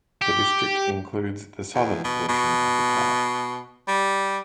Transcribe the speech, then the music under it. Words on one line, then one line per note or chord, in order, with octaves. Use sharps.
The district includes the southern portion of a park.
G4
E2
B2
B2
G3